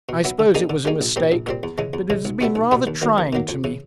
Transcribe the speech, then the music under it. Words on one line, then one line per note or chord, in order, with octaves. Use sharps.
I suppose it was a mistake; but it has been rather trying to me.
B2
F#3 B3 E4
D3
G3 A#3 D#4 G#4
D3
G3 A#3 D#4 G#4
A#1
A#2 G3 C4
A#1
A#2 G3 C4
E2
C#3 E3 G#3
E2
C#3 E3 G#3
B1
B2 G3 B3 E4
B1
B2 G3 B3 E4
D#2
D#3 F#3 A#3
D#2
D#3 F#3 A#3
F2
C#3 E3